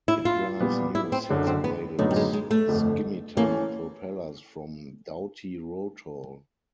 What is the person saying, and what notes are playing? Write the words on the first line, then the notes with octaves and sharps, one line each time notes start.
It drives new six-bladed scimitar propellers from Dowty Rotol.
E4
F4
A#2 G3 B3
E4
C4
F#1 F#2 D3 F#3
C4
B3
F#2 D3 F#3 A3 B3 D#4
G3
G#3
G#3
A3
G1 F2 D3
E3 A3 A#3 C#4